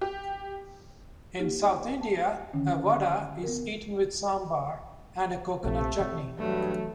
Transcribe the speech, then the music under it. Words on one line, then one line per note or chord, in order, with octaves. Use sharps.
In South India, a vada is eaten with "sambar" and a coconut chutney.
G4
A#3 D#4 G4
A5
D3 D#3 C#4
B3 A#4
A#1 C3 A3
C3 E3
G2 F#3 A3